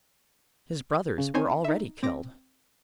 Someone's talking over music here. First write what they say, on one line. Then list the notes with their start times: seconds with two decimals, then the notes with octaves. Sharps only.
His brothers were already killed.
1.18 C#3
1.34 C4 D#4 C5 C#5 G#5
1.64 D#4 E5
2.03 C4 D6 A#6